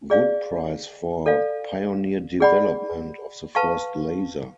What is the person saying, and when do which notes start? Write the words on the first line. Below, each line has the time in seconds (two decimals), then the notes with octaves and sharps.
Wood Prize for "Pioneer Development of the First Laser".
0.10 G#4 D5 F5
1.26 A4 D5 F5
2.40 G#4 D5 F#5 B5
3.55 B4 F5 A5 C#6